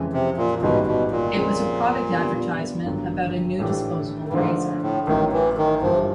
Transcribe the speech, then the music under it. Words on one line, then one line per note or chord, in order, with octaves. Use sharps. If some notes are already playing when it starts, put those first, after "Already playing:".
It was a product advertisement about a new disposable razor.
Already playing: F2 C#3 E3 G#3
C3
A#2
A1 G#2 B2 D#3 G3
B2
A#2
F2 C#3 F3 G#3 C4
D3 G3 B3
G#1 G2 D3 F#3
A2 E3 A3 D4 G4
G2
G#2 D3 F3 A3 D4
A2
A1 A2 D#3 F#3 A3
E3
D#3
G1 G2 E3 F3 G3